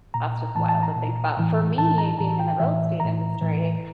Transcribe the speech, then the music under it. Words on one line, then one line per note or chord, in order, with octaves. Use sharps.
That's just wild to think about. For me, being in the real estate industry,
A#2 A#5
A2 E3 A5
A5
A#5
A#2
A2 E3
A2 E3 A5
A#5
A2 E3 A5
G5
A2 E3 E5
A2 E3 A#5
A2 E3